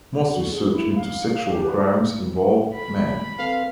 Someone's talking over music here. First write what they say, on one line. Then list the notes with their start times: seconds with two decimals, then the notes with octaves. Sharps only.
Most research into sexual crimes involve men.
0.33 F#4
0.51 G#4
0.73 E4
0.95 F5
1.33 F5
1.49 G4
1.64 B4
2.75 B5
3.39 C4 A4 B4 F5